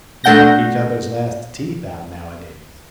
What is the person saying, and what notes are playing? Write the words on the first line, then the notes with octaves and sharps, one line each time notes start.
We knock each other's last teeth out nowadays.
A3 D4 F#5 G6 A#6